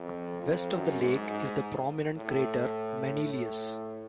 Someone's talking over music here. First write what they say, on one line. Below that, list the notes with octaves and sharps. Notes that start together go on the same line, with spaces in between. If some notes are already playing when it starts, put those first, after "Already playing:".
West of the lake is the prominent crater Manilius.
Already playing: F2
F2
F#2
G#2
G#2
A2
A2